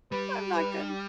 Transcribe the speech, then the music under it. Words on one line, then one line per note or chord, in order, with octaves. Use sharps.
I'm not good.
G3 B4
B4